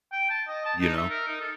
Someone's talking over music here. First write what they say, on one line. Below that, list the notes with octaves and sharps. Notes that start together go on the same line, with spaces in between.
You know?
G5
A5
D#5
A5
D#4
E5
A#4
D#4
A4